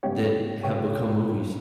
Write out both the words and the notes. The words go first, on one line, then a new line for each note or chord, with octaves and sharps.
that have become movies.
C#3 G#3 B3 G4 C#5
C#3 G#3 B3 G4 C#5